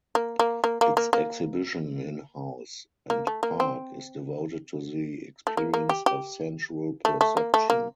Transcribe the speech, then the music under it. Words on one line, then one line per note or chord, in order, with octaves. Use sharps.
Its exhibition in house and park is devoted to the experience of sensual perception.
A#3
A#3
A#3
A#3
A#3
A#3
A#3
A3
A#3
C4
A3
A#3
A#3
G4
G4
A3
A3
A#3
A3
A#3